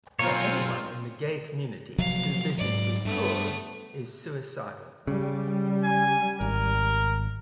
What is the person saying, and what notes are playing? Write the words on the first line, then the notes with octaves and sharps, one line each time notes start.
For anyone in the gay community to do business with Coors is suicidal.
B1 A#3 C4 D#4 F4 C#5 G#5
C3 F3 F#3 F5
G#2 F#3 D5
G2 A3 B3
C#3 G3
G#5
G#1 A#4